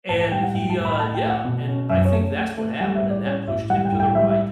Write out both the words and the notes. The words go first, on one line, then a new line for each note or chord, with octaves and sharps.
and he, uh yeah, and I think that's what happened, and that pushed him to the right,
A2 A5
A5
G3 G5
F#5
A2 G5
A5
A2
B5
A3 A5
G5
A3
F#5
B2
C#4
F#2 E5
C#5
A3
A3
A3
G3 F#5
E5
A2
D5
C#4 C#5
A2 E5
G3 F#5
G5
A2
G5
G3 E5
E5